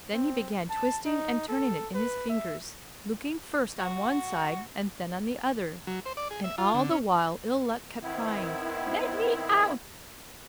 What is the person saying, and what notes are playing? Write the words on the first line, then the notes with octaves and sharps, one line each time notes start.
Then he began twisting and turning it in his fingers, looking first on one side and then on the other, and all the while Ill-Luck kept crying, "Let me out! let me out!"
C4
A5
D#4
A4
B4
E5
F#4
F#3
C5
D5
G#4
E5
F4
D3
C#4
D#3 B3 C4 E4